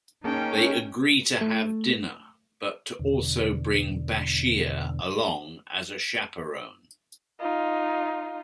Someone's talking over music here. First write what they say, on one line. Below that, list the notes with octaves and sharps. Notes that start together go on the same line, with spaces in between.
They agree to have dinner, but to also bring Bashir along as a chaperone.
A#3 C#4 D#4 G#4 G5 A5
A3
E2 B2 D3
D#4 F4